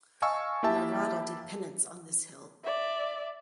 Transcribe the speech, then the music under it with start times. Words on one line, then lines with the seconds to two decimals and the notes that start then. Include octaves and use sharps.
Narada did penance on this hill.
0.22 D#5 F5 G#5 A5 C#6 E6
0.63 A#3 E4 G4 E5 A5
2.63 D5 E5